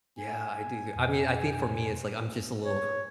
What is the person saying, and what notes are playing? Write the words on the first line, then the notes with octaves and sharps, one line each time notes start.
Yeah, I do th I mean, I think for me, it's like, I'm just a little
G#5
F2 B2
C#5